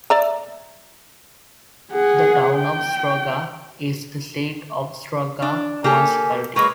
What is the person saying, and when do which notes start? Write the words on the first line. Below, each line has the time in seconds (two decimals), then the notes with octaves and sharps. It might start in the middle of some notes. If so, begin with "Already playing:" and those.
The town of Struga is the seat of Struga Municipality.
0.10 D5 E5 A#5
1.92 G#4 F#5
2.56 G5
5.42 D4
5.84 A#3 G4 A4 G#5
6.56 G#3 A#3 B4 C#6